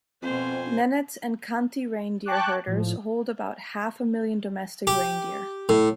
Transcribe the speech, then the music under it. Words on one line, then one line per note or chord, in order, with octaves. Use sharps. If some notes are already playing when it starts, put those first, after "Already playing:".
Nenets and Khanty reindeer herders hold about half a million domestic reindeer.
F2 B2 C4 F4 C5 G#5
G5 A5 C#6 D6 F#6
A2 F3
G4
A2